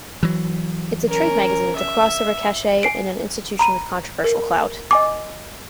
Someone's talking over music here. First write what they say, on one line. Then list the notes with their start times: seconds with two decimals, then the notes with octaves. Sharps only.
It's a trade magazine with crossover cachet and an institution with controversial clout.
0.23 E3 F#3
1.08 C#4 A#4
1.77 E5
2.83 G#5 C7 D7
3.59 A#5 B5 D#7
4.24 A#4
4.91 D#5 G#5 D6